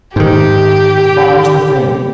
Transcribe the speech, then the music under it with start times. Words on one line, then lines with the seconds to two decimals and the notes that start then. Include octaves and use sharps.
The farm's the thing.
0.16 G#2 D#3 G4